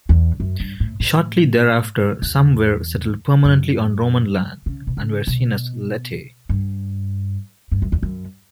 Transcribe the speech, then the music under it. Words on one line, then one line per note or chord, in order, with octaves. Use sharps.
Shortly thereafter, some were settled permanently on Roman land, and were seen as "Laeti".
E2
F#2
G2
A2
A2
E2
F#2
C#3
B2
C#3
B2
G2
G2
F#2
E2
F#2